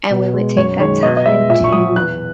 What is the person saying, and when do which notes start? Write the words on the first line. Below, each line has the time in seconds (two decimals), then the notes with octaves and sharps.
and we would take that time to
0.11 B2
0.34 G#3
0.56 F#2 C#5
0.79 D#3 G#3 C#5
1.03 B2 D#5
1.17 D#5
1.26 G#3 E5
1.49 A#2 E5
1.64 C#6
1.72 F#3 D#6
1.96 E2 F#6